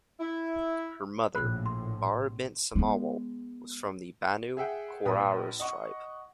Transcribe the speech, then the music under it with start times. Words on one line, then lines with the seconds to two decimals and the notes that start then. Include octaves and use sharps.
Her mother, Barra bint Samawal, was from the Banu Qurayza tribe.
0.20 E4
1.35 A#1 A2 B5 F#6
1.66 C6
2.75 G#3 B3
4.57 G#4 E5 F#5 G5
5.05 A#1 B4 D#6
5.60 D#5 F#5 C#6